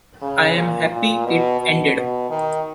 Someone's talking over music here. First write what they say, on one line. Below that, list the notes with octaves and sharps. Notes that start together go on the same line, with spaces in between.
I am happy it ended.
C#3
A#2
A#2
B2
B2
B2
D#3